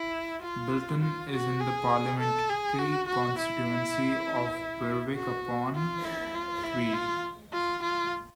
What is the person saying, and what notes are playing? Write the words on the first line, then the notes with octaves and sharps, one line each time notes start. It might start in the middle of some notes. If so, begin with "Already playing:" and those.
Bilton is in the parliamentary constituency of Berwick-upon-Tweed.
Already playing: E4
F4
F4
F#4
G#4
A4
G#4
F#4
F#4
E4
F#4
F4
E4
F4
E4
F4
F4
F4